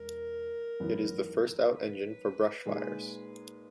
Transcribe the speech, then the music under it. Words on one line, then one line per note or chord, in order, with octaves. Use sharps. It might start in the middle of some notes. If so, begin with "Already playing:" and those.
It is the first out engine for brush fires.
Already playing: E1 A#4
G#1 F#2 E3 B3
B4
A#2 G#3 D#4 G#4